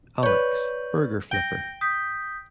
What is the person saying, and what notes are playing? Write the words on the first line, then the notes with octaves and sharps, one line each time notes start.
Alex, burger flipper.
B4 C#5 D5 G6
G5 G6 A#6
D#6 G6 B6